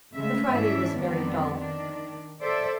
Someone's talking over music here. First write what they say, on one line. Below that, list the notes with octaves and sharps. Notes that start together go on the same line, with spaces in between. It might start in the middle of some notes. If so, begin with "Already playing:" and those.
The Friday was very dull.
C#3 G#3 A3 E5
G#2 E3 C#4 D4 E4 E5
F2 D#3 G3 B3 C4 D4
D#3 D4
A4 C5 D5 E5